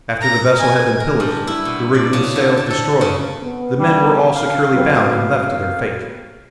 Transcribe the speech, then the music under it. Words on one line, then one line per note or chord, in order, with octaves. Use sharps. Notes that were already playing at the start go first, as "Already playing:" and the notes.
After the vessel had been pillaged, the rigging and sails destroyed, the men were all securely bound and left to their fate.
A#5
G#5
A#4
G2
E4
B2
D5
C#3
D3
A5
A4
C#3
B3
G3
F5
F#3 B3 C4